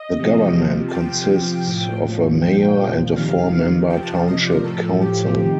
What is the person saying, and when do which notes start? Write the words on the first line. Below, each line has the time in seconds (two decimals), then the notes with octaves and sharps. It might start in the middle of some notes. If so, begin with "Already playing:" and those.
The government consists of a Mayor and a four-member Township Council.
Already playing: D#5
0.19 C3 F3
0.88 A5
0.93 C3 F3 G5
1.68 A2 F3
2.42 A#2 F3 G5
3.16 C3 D#3 F5
3.90 C3 F3 G5
4.03 A5
4.15 F5
4.28 D#5
4.40 D5
4.51 A#4
4.64 A2 F3 A4
5.01 G4
5.38 C3 D#3